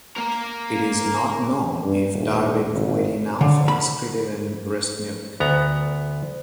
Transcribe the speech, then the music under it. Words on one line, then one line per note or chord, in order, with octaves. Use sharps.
It is not known if darbepoetin alfa is excreted in breast milk.
A#3 A#4
G2
D#1
G#1
D3
B5
D2 B3 A#5